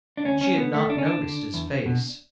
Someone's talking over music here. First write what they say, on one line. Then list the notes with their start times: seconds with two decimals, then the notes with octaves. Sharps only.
She had not noticed his face.
0.17 D4
0.25 D2 C#4
0.41 C#4
0.57 D3 B3
0.74 A3
0.90 D2 D4
0.98 C#4
1.06 D4
1.22 D3
1.54 E2
1.86 B2